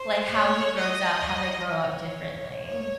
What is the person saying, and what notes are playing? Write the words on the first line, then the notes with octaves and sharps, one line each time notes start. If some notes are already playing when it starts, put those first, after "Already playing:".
like, how he grows up, how they grow up differently.
Already playing: C5
C#5
D#5
C#5
C#5